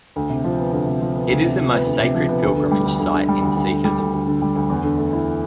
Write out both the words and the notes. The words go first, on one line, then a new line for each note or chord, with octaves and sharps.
It is the most sacred pilgrimage site in Sikhism.
D2
C3
F3
B3
D2
C3
F3
B3
D2
C3
F3
B3
D2
C3
F3
B3
D2
D3
G3
D2
D2
D3
G3
D2
D2
D3
G3
D2
D2
D3
G3
D2
E2
D3
A3
E4